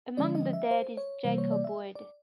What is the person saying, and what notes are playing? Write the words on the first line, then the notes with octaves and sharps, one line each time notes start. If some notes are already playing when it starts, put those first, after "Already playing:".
Among the dead is Jacob Wood.
D3 F3 G#3 C#4 D5
D#5
E5
C5
C#5
C3 E3 G3 A#3 C5
C#5
D5
E5
D5